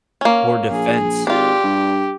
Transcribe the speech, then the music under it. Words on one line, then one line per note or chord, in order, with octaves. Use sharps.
Or defense.
A#3 C#4
A#1 G#4
G#1 D4 F4 G4
G2